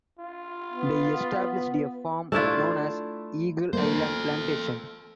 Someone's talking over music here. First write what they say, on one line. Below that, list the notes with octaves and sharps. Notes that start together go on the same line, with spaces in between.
They established a farm known as Eagle Island Plantation.
F4
B3
A3 D4 E4 F4
A#3 A4 C5